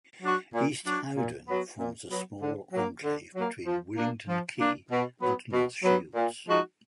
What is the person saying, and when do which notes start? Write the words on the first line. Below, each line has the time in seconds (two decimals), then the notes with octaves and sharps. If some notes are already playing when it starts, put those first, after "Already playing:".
East Howdon forms a small enclave between Willington Quay and North Shields.
0.22 F#3 D4 F#4
0.54 A#2
0.85 F#3 D4 F#4
1.16 A#2
1.47 F#3 B3
1.78 A#2
2.10 F#3 B3
2.41 D3
2.72 F#3 A#3
3.03 D3
3.35 F#3 A#3
3.65 F3
3.97 A#3 D4
4.28 F3
4.59 A#3 D4
4.91 B2
5.22 F#3 B3
5.53 B2
5.84 F#3 B3
6.15 A#2
6.47 F3 G#3 D#4 F#4